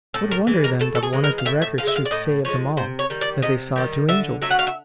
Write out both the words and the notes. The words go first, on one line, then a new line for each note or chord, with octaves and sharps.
What wonder then that one of the records should say of them all, that they saw two angels?
A2 A4
A#4
E3 G#3
A#4
A2 A4
A4
G#4
E3 G#3
A#4
F5
A2 E5
E5
F3 F5
G#3 E5
F5
D5
A2 D#5
F3 G#3 C#5
C3 C5
C#5
D#3 G3
D5
C3 D#5
D#3 G3
D3 E5
F#3 A3 E5
F#5
F5
E5